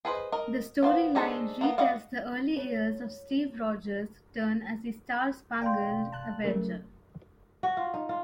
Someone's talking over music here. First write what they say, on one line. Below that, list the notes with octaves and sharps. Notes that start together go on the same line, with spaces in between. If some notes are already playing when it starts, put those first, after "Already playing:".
The storyline re-tells the early years of Steve Rogers' turn as the Star-Spangled Avenger.
G#4 B4 C5 D#5
A#4 D#5
B3 C5 F5
D4 D#4 G#4 A4 C5
A#3 B3
F#4 D5 D#5 F5
C#5
D5 F5 G5 C6
A5 F#6
C#3 F#3 A3 A#4
F#4
F4
D#4
F4